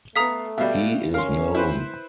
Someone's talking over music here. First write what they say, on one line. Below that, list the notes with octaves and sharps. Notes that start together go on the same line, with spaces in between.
He is known.
A3 B3 A4 F5 A#5 D#6 B6
B2 G3 E5 F5
C#4 A#4 F5 C6
E4 B4 C5